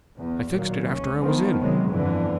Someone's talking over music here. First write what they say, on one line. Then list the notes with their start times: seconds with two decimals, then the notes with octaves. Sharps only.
"I fixed it after I was in."
0.17 E2
0.49 A#2 D#3 F#3
0.89 C#2 C#4
1.21 D#3 F3 B3 C4
1.60 C3 D#3 F#3 G#3
1.90 G1 F2 D3 E3